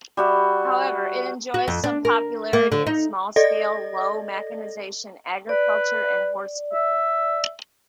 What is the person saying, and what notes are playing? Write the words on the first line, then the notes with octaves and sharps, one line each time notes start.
However, it enjoys some popularity in small-scale, low-mechanization agriculture and horse-keeping.
G3 F#4 E5
F#4
F2
D4
A#4
A#3
D3
D#4
A4 D5 D#5 A#6
B4 D5
E5